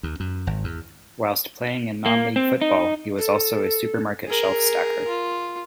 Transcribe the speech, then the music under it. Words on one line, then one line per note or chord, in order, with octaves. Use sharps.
Whilst playing in non-League football he was also a supermarket shelf stacker.
D#2
F#2
G#1
E2
A#3
C4
D#4
A4
G#4 A#4
F4